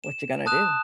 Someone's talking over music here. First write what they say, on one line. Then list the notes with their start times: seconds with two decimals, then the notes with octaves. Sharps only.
What you gonna do?
0.04 E7
0.46 A5 D#6 F#6 E7